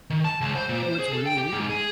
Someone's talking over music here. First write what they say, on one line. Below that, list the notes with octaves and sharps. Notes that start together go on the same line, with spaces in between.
So it's really weird.
D#3
A5
C#2
C5
A#2
C5
G#4
A4
G5
G4
G#2
G#4